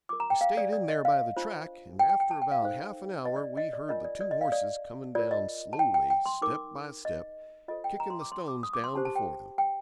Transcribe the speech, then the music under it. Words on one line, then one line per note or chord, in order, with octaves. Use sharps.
We stayed in there by the track, and after about half-an-hour we heard the two horses coming down slowly, step by step, kicking the stones down before them.
F4 A#4 D6
A#5
G5
F5
D5
D5
D#5
F5
D4 F4 C5
G5
G5
G5
A5
G5
F5
D#4 A4 C5
D#5
D5
D#5
D5
D4 F4 A#4 D#5
D5
D5
D#5
F5
D5
F4 A#4 D5
D#5
A5
G5
G5
G5
C6
D#4 A#4 D6
D#5
F4 A4 C5 D#5
G5
A#5
C6
D6
C6
D6
D#6
D6
C6
D4 G4 C5 A5
A5
G5
G5